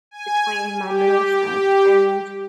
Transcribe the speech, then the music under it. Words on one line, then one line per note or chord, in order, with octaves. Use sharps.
between my mental stuff and
G#5
G4